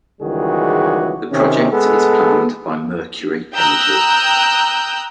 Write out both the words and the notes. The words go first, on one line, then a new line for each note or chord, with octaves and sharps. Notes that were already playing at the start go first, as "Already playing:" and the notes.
The project is planned by Mercury Energy.
C#2 D#3 E3 G3 F#4 G#4
C3 D#3 C#4
G#3 B3 G#4 A4
G5 A#5 D#6 E6 F#6 G6